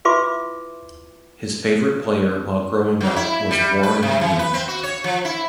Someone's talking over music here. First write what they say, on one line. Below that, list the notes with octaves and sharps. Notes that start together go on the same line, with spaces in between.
His favorite player while growing up was Warren Moon.
E4 F4 B4 E5 C6 D6
F#3
E4
G3
B4
C3
E3
B4
C4
F#4
C#5
F3
E4